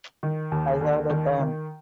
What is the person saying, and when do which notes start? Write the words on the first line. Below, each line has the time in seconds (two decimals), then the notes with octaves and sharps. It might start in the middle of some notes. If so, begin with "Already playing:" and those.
I have the time.
0.23 D#3
0.52 D#2
0.81 D#2
1.10 D#3
1.39 D#3